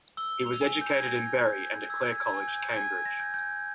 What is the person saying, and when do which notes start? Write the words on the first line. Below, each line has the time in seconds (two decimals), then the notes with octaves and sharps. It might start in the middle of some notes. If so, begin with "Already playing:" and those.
He was educated in Bury and at Clare College, Cambridge.
0.17 E6 G7
0.47 F7
0.61 G#5
0.81 G6
0.93 G#6
1.04 G#5 A#6
1.47 G6
1.90 E6 G#6
2.18 G#6
2.34 G#5
2.48 G6
2.76 G#5 G#6
3.05 A#6
3.20 G6
3.34 G6